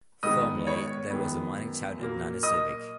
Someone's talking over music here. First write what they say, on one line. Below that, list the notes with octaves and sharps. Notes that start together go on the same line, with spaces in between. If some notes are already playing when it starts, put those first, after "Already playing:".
Formerly there was a mining town at Nanisivik.
G#2 D#3 G#3 B3 D#5 D#6
C#5 C#6
F#2 D#3 G#3 B3
A#2 F#3 A#3
D#5 D#6